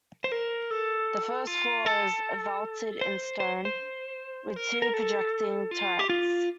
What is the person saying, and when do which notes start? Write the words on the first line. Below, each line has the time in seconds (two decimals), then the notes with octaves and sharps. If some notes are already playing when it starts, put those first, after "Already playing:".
The first floor is vaulted in stone, with two projecting turrets.
0.24 C5
0.32 A#4
0.71 A4
1.47 F4
1.86 A4
3.01 C5
3.40 C5
3.65 C5
4.56 A#4
4.82 A#4
4.94 A4
5.71 F4
5.99 G4
6.09 F4